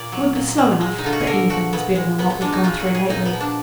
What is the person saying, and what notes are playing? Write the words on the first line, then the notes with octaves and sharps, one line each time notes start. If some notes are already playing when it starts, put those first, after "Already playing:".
It would be slow enough, but anything was better than what we'd gone through lately.
Already playing: A#2 D5
F#3
A#2
F#3
G#3
D#4
D3 F4
F#4
G#4
D3 A#4
F3 F#4
A#2 B3
G#3
A#2 B3
B3
G#3 D4
D#4
G#3 F4
F#4
A#2
G#4
A#2 D#4
B3
F3
D4